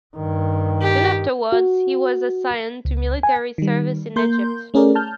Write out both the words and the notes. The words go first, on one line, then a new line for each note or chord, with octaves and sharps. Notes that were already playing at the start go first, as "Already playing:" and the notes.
Soon afterwards he was assigned to military service in Egypt.
G2 D#3
G4
F#4
C#2
G#5
D#3 G3
A#3 A#4 C6 G6
A3 C#4 G#4 A#4 D5
A5 F6 G6